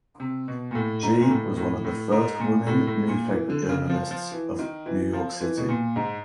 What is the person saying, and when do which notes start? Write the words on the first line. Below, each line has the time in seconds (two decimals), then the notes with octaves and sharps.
She was one of the first women newspaper journalists of New York City.
0.20 C3
0.48 B2
0.71 A#2
0.75 A2
1.02 G#2
1.20 A#2
1.30 A2
1.57 A2
1.85 A2
2.12 G#2
2.39 A#2
2.67 A2
2.87 A2
3.08 A#2
3.28 E3
3.50 D3
3.69 C#3
3.90 F3
4.11 F3
4.32 E3
4.59 D#3
4.86 E3
5.13 F3
5.41 E3
5.57 B2
5.69 A#2
5.96 G#2